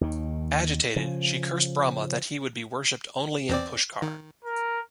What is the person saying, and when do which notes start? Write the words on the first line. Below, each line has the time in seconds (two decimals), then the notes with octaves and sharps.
Agitated, she cursed Brahma that he would be worshipped only in Pushkar.
0.01 D#2 D#3
0.96 C#3 F3
3.49 E2 C4 D5
4.02 D#3
4.45 A#4